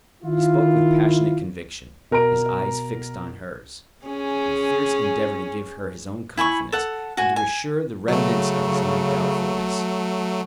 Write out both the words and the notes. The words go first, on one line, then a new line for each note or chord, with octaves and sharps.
He spoke with passionate conviction, his eyes fixed on hers, in a fierce endeavour to give her his own confidence, and to reassure the remnants of his own doubtfulness.
D#3 E4 F4
B2 A#4 A#5 D7
C#4 G#4
E4 G#5 B5 C#6
A4 F#5
F#4 G#5
G#5
C#3 F#3 A3